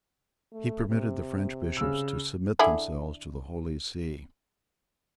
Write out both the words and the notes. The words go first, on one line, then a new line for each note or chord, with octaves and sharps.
He permitted the French Bishops to submit themselves to the Holy See.
A3
C3
C#3 E6
D3 E4 G#4